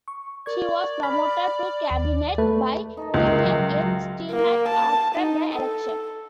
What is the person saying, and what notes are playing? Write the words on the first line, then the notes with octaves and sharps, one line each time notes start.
She was promoted to cabinet by Premier Ed Stelmach after the election.
C#6
A#4 D5 C#6 G#6
B5 F6
D#2
A3 A4 B4
D#4 A4 D#5
C#2 C#3 G#3 A#4 E5
F#3
A#3
A5
D#4
A4